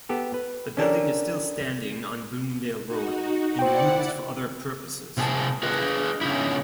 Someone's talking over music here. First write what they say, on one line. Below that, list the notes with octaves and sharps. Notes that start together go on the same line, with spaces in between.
The building is still standing on Bloomingdale Road and used for other purposes.
B3 G4 A4
B4
C#4 D4 G4 A4 A#4 D5
D#4 F#4
E4 C5 D5 F#5 G5
C3 G#4 A5
G#4 B4 D#5
C#3 D#4 E4